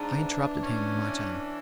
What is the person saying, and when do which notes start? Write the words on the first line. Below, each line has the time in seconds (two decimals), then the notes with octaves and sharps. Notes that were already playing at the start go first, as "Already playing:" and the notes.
I interrupted him in my turn.
Already playing: G#2 D4
0.16 E3
0.61 C#4
1.06 E3